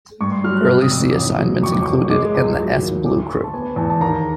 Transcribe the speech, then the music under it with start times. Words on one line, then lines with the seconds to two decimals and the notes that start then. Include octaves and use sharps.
Early sea assignments included and the s blue crew.
0.21 G2 C#6
0.32 C6
0.44 F#3 F6
0.56 F#6
0.67 C3 F6
0.81 D#6
0.91 F2 E6
1.09 D6
1.15 A1 D#6
1.39 F#3
1.62 F2 C#6
1.73 D6
1.83 F#1 C#6
2.10 G#3 D6
2.34 C#2
2.57 F#3
2.82 D#2
3.06 D2 D6
3.22 C6
3.30 D2 C#6
3.44 A5
3.53 B3 G#5
3.76 E2 A5
3.90 A5
4.01 D#2 A#5